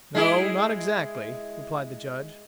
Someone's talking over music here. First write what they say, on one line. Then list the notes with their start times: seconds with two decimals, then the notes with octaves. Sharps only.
"No--not exactly," replied the Judge.
0.15 G#3 E4 G#4